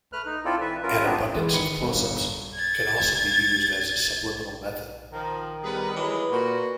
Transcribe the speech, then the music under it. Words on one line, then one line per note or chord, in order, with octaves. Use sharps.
An abundance of close-ups can also be used as a subliminal method.
A3 B4 F6 F#6
D#4
C4 E4 F4 A4 D5
E3 B4 E5
F#3 C#4 F4 A#4 B4 E5
G2 A#2 B3 C4 D4
G#2 E3
D#3 B5 C#7
G1
G#6 A6
D#3 F3
G3 B3 G#4 B4
E3 F#3 G#3 B4
A#2 F#4